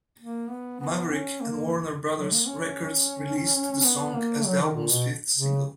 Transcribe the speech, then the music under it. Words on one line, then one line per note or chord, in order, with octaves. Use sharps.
Maverick and Warner Brothers Records released the song as the album's fifth single.
A#3
B3
B3
C#4
A#3
F#3
A#3
C#4
C#4
B3
A#3
F#3
D#3
A#2
B2
C#3